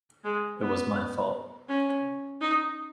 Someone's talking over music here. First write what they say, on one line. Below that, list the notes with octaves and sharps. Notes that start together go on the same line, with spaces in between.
It was my fault.
G#3
B3
C#4
D#4